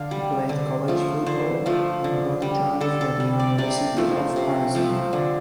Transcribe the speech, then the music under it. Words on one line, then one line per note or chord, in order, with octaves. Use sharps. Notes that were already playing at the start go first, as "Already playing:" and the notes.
He played college football and ran track for the University of Arizona.
Already playing: D3 D4 F5
G3
D3
F3 A3
D3 C5
F3 A3
D3
G3
D3 A4
A4
G3
D5
C3 D5
F3 A3
C3
F3 A3
D3